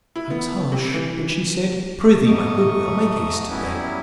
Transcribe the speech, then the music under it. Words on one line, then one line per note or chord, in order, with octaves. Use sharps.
I was hush; but she said, Pr'ythee, my good girl, make haste to bed.
E4
B3
C3
E3
G#2 A3 D#5 C#6
F#3 G3 B3 C#4 E4